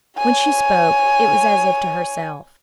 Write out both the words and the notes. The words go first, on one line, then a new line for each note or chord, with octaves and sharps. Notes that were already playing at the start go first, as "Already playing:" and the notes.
When she spoke, it was as if to herself.
C#5 G#5